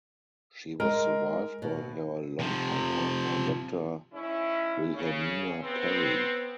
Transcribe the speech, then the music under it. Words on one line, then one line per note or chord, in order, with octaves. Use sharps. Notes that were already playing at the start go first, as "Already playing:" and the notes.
She was survived by her longtime partner, Doctor Wilhelmina Perry.
G#3 A#4
B2
C3 F3
G#2 C#4 E4
C#3
B3 C4